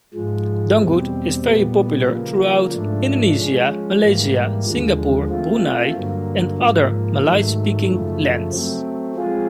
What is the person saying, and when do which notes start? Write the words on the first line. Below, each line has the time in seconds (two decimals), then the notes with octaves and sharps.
Dangdut is very popular throughout Indonesia, Malaysia, Singapore, Brunei, and other Malay-speaking lands.
0.14 G#2 F3 G#3
0.78 E2 B2 G3 C4
1.42 A#2 G3 B3
2.06 C#3 F3 A#3
2.72 G#2 F3 A3 D4
3.36 F3 G#3 C#4
4.00 G#2 E3 G3 A#3
4.65 D#2 D3 F3 G#3
5.29 A3 C4 F4
5.94 G2 D3 F#3 A#3
6.58 G#2 F3 A#3
7.22 G#2 D#3 F#3 A3
7.87 F#2 C#3 F3 A3
8.51 F#3 A3 C4
9.15 F3 G#3 C4 F4 G#4